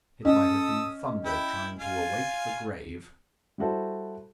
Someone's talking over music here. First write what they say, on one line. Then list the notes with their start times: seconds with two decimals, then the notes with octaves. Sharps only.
It might have been thunder trying to awake the grave.
0.25 C#4 A4 D#5 D#6 E6
1.25 E4 G5
1.79 F4 F5 G#5
3.58 G3 E4 F#4 A4 C5